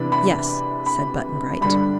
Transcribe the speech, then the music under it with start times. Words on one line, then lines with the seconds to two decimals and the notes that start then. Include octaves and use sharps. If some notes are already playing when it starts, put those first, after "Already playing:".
"Yes," said Button-Bright.
Already playing: C3 E3 B3 D4 B5
0.12 B5
0.86 B5
1.61 G2 D3 G3 D4 B5